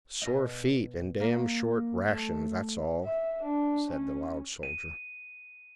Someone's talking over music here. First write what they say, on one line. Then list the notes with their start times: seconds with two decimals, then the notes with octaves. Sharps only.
"Sore feet an' damned short rations, that's all," said the loud soldier.
0.22 B2 D#5
1.20 A#3
2.08 A3
3.04 E5
3.43 D4
3.89 C#4
4.63 D#7